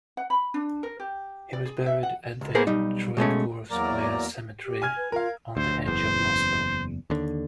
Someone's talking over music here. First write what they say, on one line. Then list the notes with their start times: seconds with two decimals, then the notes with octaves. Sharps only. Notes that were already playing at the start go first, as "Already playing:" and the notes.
He was buried at the Troyekurovskoye Cemetery on the edge of Moscow.
0.17 F#5
0.30 B5
0.54 D4
0.83 A#4
1.00 G4
1.53 D5
1.65 G#4
1.86 E5
2.03 F#5
2.41 C#2
2.55 A#3 B3 G#4 A#4 C5
2.67 B1 G3 D#4
3.17 B2 G#3 A3 C#4
3.71 E2 F#3 A#3 A#4 D5 A#5
4.65 G4
4.82 G#5 F6 G#6
4.97 B4
5.12 F4 A#4 F5
5.57 D2 C5
5.87 F#1 E2 C5
7.10 D#2 D3